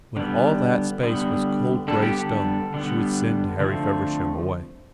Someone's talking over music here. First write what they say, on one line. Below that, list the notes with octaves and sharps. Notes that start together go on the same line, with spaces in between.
When all that space was cold grey stone, she would send Harry Feversham away.
D3 G3 B3
D3 G3 B3
D3 G3 B3 A4
G4
A4
D3 G3 B3
D3 F3 A3 C4